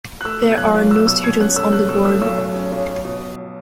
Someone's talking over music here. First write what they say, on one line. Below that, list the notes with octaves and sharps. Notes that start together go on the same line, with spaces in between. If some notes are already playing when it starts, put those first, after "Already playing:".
There are no students on the Board.
F#6
A3 E6
B2
G#6
B1 F#6
B1
B1 E6
B2 E6
B2 G#6
C#4 F#6
A3 E6
A3 F#6
B2 E6
A3 E6
B1 E6
B1
C#4
B1
F#3
B2
B2